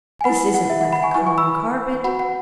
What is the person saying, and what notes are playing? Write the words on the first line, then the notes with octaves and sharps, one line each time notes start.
This isn't like a common carpet.
G#5
B4 F#5 B5
E4
F#5
E5
F#5
F#5 B5
G#5 C#6
E4 B4 G#5 C#6
G#5 C#6
B5 E6
F#4 B4 F#5 B5
F#5